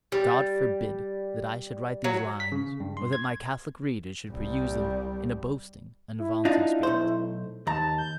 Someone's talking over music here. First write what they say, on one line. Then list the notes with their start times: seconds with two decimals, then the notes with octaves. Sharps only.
God forbid that I should write these lines, or that my Catholic readers should peruse them in a boasting and vaunting spirit.
0.12 G3
2.04 F#3
2.40 B6
2.52 C#3
2.80 G2
2.97 C6
3.13 G#6
4.30 C2 G3
6.19 E4
6.45 D4 D#4 F4
6.83 B1 A3 C5
7.67 D#2 A5 A#5
7.98 G6